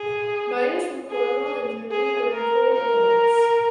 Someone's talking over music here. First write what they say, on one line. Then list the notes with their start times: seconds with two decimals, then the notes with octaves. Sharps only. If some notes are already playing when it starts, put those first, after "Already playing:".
Miners from Cornwall and Germany were employed in the works.
Already playing: G#4
1.09 G#4
1.91 G#4
2.32 A#4
2.73 A#4